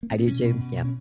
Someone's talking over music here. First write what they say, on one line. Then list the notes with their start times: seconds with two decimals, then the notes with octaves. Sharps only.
I do too, yeah.
0.03 A#3
0.11 B3
0.19 C4
0.27 B2 C#4
0.44 B2
0.60 B2
0.77 B2
0.85 C#4